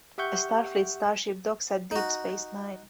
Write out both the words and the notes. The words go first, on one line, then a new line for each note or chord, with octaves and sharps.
A Starfleet starship docks at Deep Space Nine.
G4 E5 F#5 C#6 G6
D#4 F#4